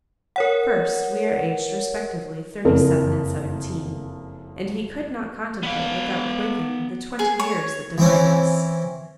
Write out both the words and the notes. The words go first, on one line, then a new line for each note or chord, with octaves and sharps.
First, we are aged respectively thirty-seven and seventeen; and he could not contemplate without quaking the twenty years that divide us.
A#4 C#5 F#5
F#1 F2 A#4
B3 F5
G#4
C#5
E3 C4 C#4